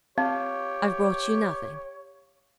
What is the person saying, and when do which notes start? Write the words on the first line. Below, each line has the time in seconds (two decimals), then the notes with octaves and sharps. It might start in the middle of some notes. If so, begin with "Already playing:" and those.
'I've brought you nothing.
0.18 C4 G4 C#5 F5